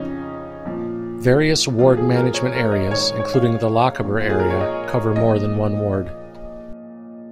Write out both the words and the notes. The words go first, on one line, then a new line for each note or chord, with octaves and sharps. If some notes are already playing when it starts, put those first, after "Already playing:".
Various ward management areas, including the Lochaber area, cover more than one ward.
Already playing: F2 C#3 F3 C#4 D#4
A#2 F3
A#2 F3 F4
G#4
A#4
C#5
A#4
D#5
G#2 D#3 C#5
C#5
F5
A#2 F3
F4
G#4
A#4
C#5
D#5
A#2 F3 D#5